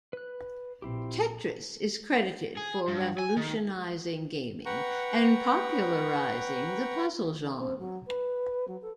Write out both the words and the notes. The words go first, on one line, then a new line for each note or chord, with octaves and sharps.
"Tetris" is credited for revolutionizing gaming and popularizing the puzzle genre.
B4 F#6
A#1 C4 E4 G4
G#4
G2
G#5
D#3
B4 F#5 G5 A#5 C#6
D#3
C4
F#3
B4
F#3
A4